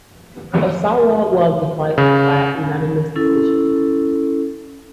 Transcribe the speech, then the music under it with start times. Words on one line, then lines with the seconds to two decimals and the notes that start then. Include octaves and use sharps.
Osawa won the fight by unanimous decision.
1.98 C#3
3.16 C#4 E4 A4